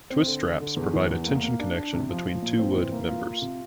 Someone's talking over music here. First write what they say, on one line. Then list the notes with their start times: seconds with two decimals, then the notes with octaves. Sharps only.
Twist straps provide a tension connection between two wood members.
0.10 C4
0.27 D3
0.44 D3
0.60 D3
0.76 E2
0.93 E3
1.10 E2
1.26 A#3
1.43 A#3
1.60 D4
1.76 D4
1.93 C3
2.09 F3
2.26 F3
2.42 A#2
2.59 C4
2.76 E3
2.92 A#3
3.08 F4
3.26 F4
3.42 C3